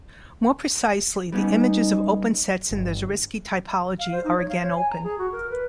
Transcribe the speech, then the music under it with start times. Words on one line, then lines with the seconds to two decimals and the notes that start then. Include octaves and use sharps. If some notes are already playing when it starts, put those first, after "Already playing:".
More precisely, the images of open sets in the Zariski topology are again open.
1.32 G3 B3 C#4 D#4
2.71 G1
3.99 F5
4.12 C5
4.24 D#4
4.37 C#5
4.49 F5
4.63 C#5
4.76 G#5
4.90 A#5
5.04 G#4
5.18 F#4
5.32 A#4
5.50 B4